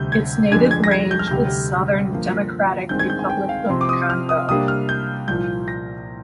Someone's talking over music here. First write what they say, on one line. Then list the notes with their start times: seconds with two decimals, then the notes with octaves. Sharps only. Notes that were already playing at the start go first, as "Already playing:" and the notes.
Its native range is southern Democratic Republic of the Congo.
Already playing: D2 C3 G3 G6
0.12 G#6
0.51 F2 D3 G#3 D4 G#6
0.71 G#6
0.84 A#6
0.91 G#6
1.11 G6
1.19 F6
1.28 D2 C3 G3 G6
2.10 G2 F3 A#3
2.89 G2 D#3 G#3 C4 G6
2.99 G#6
3.10 G6
3.19 G#5
3.30 G5
3.49 F5
3.70 C3 F3 C4 C6
3.81 D6
3.89 D#6
4.10 F6
4.29 D#6
4.48 C3 G3 A#3 D4 D#6
4.68 F6
4.89 G6
5.28 C2 A#2 F3 G6
5.68 A#6